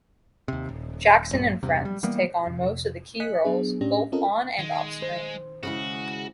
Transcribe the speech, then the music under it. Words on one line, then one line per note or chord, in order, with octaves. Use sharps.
Jackson and friends take on most of the key roles, both on and off-screen.
D#2 C3
D#1
A#1 G2 A#2
E2 G2 C3
G3
E3 G3 A#3 B3
F2 C3
D#5 G#5 F#6 B6 C#7
F#3 B3 D4 G#4
A2 C#4 D4 G4 A#6
C4 C#4 F4 A4 A#4 D#5
D#3 G#3
C5
C#3 G#3 E4 F#4